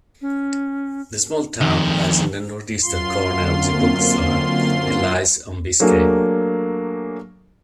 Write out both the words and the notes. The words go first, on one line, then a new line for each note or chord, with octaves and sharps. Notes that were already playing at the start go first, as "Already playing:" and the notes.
The small town lies in the northeastern corner of Gipuzkoa and lies on Biscay.
C#4
F2 D#3
F#2 F4 C6 C7
D3 A#3 C4
F#3 A3 A#3 D4 G#4 A4